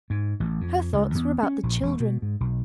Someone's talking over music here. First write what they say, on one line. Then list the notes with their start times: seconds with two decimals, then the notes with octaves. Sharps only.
Her thoughts were about the children.
0.10 G#2
0.40 A1
0.61 F2
0.93 C#2
1.15 E2
1.43 C#4
1.63 A#1
1.82 E1
2.00 B2
2.22 G#2
2.40 B1